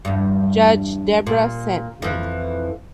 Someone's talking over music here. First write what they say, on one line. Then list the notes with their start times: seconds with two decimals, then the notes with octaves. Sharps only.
Judge Debra sent me.
0.05 E2 G2
1.27 A#2
2.02 F2 E3